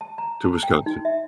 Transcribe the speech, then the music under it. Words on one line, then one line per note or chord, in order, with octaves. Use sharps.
to Wisconsin.
A5
A#5
A5
G5
D#4
E5